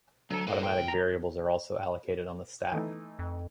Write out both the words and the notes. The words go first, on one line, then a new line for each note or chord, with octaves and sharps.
Automatic variables are also allocated on the stack.
D2 F#3 A4
A2 B4 D#5
D#2 G5
A#5
E3 A3 D#4
F2